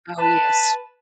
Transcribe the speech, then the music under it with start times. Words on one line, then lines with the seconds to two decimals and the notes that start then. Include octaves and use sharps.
Oh, yes.
0.18 B4 A5